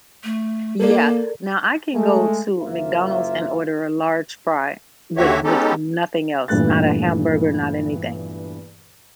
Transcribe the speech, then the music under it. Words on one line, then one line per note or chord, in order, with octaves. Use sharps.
Yeah, now I can go to McDonald's and order a large fry with with nothing else, not a hamburger, not anything.
A3
A#3 A4 A#4 D5
G#3 A3
F#1 A#3 F4 E5
D#2 D3 F#4 G4 C#5 E5
G#3 B3 C#4 D#4 G4 A4
E2 G2 A#2 A3 F#6 A6